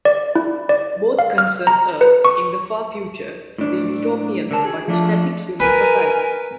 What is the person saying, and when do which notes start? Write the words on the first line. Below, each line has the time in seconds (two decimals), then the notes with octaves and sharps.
Both concern Earth in the far future, with a utopian but static human society.
0.05 D5
0.36 E4
0.69 D5
1.19 F5
1.38 F6
1.67 A#5
2.01 B4
2.25 C#6
3.58 A2 D4
4.51 D3 A#4 A5
4.65 F#4 G#4
4.88 F3 A3 D4 F4 A4
5.60 A#4 B4 G#5